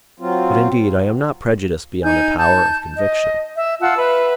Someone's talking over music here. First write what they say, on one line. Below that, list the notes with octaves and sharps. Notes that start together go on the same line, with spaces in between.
But, indeed, I am not prejudiced beyond the power of conviction.
F#3 C4 F4
D#4 G#5 G6
A5 G6
D#5
E5
F4 F#5 A5 E6
B4 E5